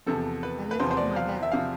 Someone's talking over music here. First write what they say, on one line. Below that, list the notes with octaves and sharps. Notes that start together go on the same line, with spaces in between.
I lifted my head.
E2 C3 F3 A4
B4
B4
E2 C3 F3 C5
C5
D5
F5
E5
C3 F3 F5